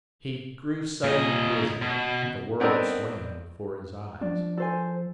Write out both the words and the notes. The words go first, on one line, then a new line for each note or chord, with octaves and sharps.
He grew suddenly dizzy; the world swam before his eyes.
A#2 D#5
B2
B3 C4 D4 D#4 A#4
F3 D4
A4 C5 G#5